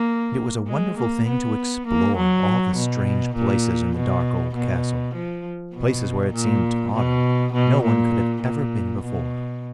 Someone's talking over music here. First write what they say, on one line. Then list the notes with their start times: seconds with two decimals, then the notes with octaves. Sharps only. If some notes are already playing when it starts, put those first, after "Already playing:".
And it was a wonderful thing to explore all the strange places in the dark old castle; places where it seemed to Otto no one could have ever been before.
Already playing: A#3
0.67 G#3
0.98 A#3
1.28 B3
1.87 A#3
2.17 F#3
2.76 B2
3.36 A#2
3.96 B2
4.55 B2
5.15 F3
5.74 B2
6.34 A#2
6.93 B2
7.53 B2
7.83 A#2
8.42 A#2
9.02 B2